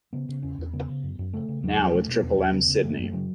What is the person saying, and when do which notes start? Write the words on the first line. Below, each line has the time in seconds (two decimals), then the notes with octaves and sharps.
Now with Triple M Sydney.
0.13 C#3 B3
0.29 C#3
0.43 E2 C#4
0.58 E2
0.73 C#3 B3
0.89 C#3
1.03 F#2
1.19 F#2
1.33 C#3 A3
1.49 C#3
1.63 E2 F#3
1.79 E2
1.94 B2 A3
2.08 B2
2.13 B3
2.23 E2
2.33 F#3
2.38 E2
2.53 C#3 B3
2.68 C#3
2.83 F#2 A3
2.99 F#2 A3
3.13 C#3 F#3